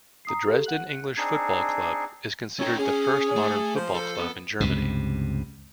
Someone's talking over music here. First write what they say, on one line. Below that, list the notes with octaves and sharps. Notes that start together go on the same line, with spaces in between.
The Dresden English Football Club is considered the first modern football club in Germany.
A#5 D#6 C7
G4 A4 F5
F#5 F#6 F#7
F#6 C#7
C4 D4 D#4 G#4
C#4 D#4 A4 C#5 G5
C#4 G#4
A3
F3 F4 C5
A4
F2 B3
C#2 G2 C3